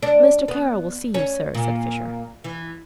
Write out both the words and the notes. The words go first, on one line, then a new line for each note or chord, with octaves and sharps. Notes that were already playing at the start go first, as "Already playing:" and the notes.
"Mr. Kara will see you, sir," said Fisher.
D4
B3
C#4
A#2
E3